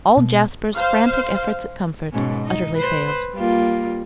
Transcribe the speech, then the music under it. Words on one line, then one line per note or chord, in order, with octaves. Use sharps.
All Jasper's frantic efforts at comfort, utterly failed.
B2
C5 F5
G#2 B2 C#4
D#4
B4 C5
G3 A#3 F4